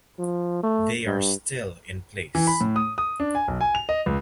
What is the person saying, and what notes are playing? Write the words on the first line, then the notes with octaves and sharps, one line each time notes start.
They are still in place.
F3
A3
G2
E3
B5
A2
D#6
D#6
D4
G#5
B1
G#5
F7
D#5
C#2